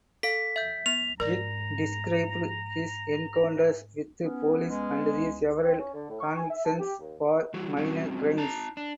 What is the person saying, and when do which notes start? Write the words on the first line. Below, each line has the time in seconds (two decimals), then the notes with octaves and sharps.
It described his encounters with police and the several convictions for minor crimes.
0.23 A4 F5 B6
0.56 E5 G6
0.86 B3 F7
1.20 G#2 A#4 D5 A#5
4.24 B3 C#4
4.66 G#3
5.64 C4
5.79 C#4
5.94 D3
6.09 A2
6.21 C#6
6.38 G#5
6.50 E5
6.64 A5
6.79 G4
7.00 D#2
7.54 E3 G3 F#4
7.77 G3 C4 C#4 F#4
8.37 D#4 A5 A#5
8.77 D4